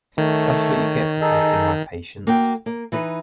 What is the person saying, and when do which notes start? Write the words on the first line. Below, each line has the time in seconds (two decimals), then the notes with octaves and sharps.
That’s what you get for testing my patience.
0.18 D#3 A3 C#5
1.21 D#4 G#4 A4 D#5
2.27 A#3 F#4 G5
2.66 A#3
2.92 E3 D#4 B4